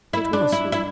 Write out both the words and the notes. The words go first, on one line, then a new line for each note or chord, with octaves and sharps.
It was he.
E4
D4
E4
E4